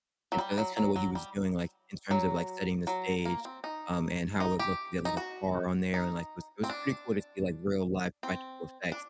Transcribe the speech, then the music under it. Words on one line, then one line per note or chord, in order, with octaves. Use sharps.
and so that's kinda what he was doing, like, in terms of, like, setting the stage, um, and how it was looking, he had like a car on there and, like, it was it was pretty cool to see, like, real live practical effects,
F#3
G3
F#3
F#3
F#3
G3
F#3
F#3
A#3
C4
D#4
D#4
G4
D#4
F#4
D#4
C4
D4
C4
D4